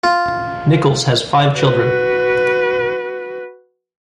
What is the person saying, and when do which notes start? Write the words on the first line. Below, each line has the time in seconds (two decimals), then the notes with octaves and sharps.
Nichols has five children.
0.04 F4
1.54 F#4 B4